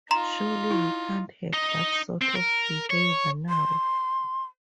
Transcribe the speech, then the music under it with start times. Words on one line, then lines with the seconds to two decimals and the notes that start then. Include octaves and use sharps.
Surely we can't have that sort of behaviour now?
0.11 D#4 F4 A#5 C6 E7
0.71 E4
1.54 D#4
2.21 C4
2.35 A#4
2.90 C#5
3.49 C6